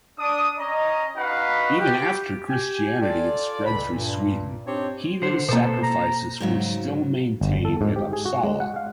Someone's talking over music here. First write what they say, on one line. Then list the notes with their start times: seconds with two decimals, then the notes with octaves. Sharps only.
Even after Christianity had spread through Sweden, heathen sacrifices were still maintained at Uppsala.
0.18 D4 D#6
0.58 C#4 D#5 A#5
1.16 D#4 F#4 B4 F5 F#5 B5
1.80 G4
2.48 G4 G5 G#5
3.01 F4 A4 D5
3.65 C#2 A#2 C#3 B4 B5
3.91 G2 A#2
4.67 C4 D4 D#4 G4 C5 C#5
5.22 D3 C5
5.49 B2 A#3 A4 C5
5.83 A#5
6.40 G#2 C#3 F#3
7.41 G1
7.65 A4
7.81 G#2
7.96 G4
8.13 G#4
8.26 F#4
8.44 G#3
8.60 F#5
8.76 F5